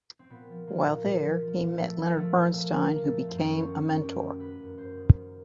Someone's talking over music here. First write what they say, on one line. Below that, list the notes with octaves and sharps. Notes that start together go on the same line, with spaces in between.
While there, he met Leonard Bernstein, who became a mentor.
C4
A#2 B3
F3
F3 A#3
A#2
A#2
F3
F3
A#2
A#2 A3
F3
F3 A3
A#2
A#2 A#3
F3
A#3
F3
A3
A#2
F#2 C4
C#4
D#3 C4
D#3 C#4
F#2
F#2 G4
D#3
D#3 B4
F#2
F#2 C5
D#3
D#3